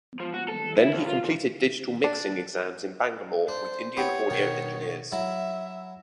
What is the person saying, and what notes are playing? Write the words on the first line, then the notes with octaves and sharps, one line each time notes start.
Then he completed digital mixing exams in Bangalore with Indian audio engineers.
F3
F#4
A4
E4
D#2
F4
A#2
D4
D4 C5
B3 E4 G4 C#5
B2 D#3
F#3 E4 E5